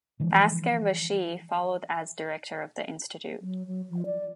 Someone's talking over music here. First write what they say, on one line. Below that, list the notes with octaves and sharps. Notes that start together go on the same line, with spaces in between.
Basker Vashee followed as director of the Institute.
D3 E3 F3 G#3
F#3
F#3
F3
D5